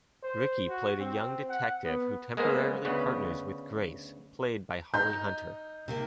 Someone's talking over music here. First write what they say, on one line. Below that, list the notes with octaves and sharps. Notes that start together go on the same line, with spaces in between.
Ricci played a young detective who temporarily partners with Grace, played by Holly Hunter.
C5
F#4
C4
F#5
B3
G#3 A#3 B3 C5
D2 C#3 B3
D#4 G6
C3 D#3 A#3